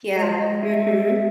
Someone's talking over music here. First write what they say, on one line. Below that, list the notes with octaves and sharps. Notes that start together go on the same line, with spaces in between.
Yeah, mhm.
G#3 D#5
D#5
E5
E5